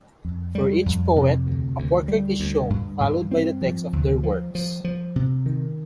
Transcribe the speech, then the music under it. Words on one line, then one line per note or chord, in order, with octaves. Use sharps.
For each poet, a portrait is shown, followed by the text of their works.
F2
G3
F2
C3
D2
D2
G3
D2
G2
G2
C4
F3
D2
F3
F3
F3
C3
D#3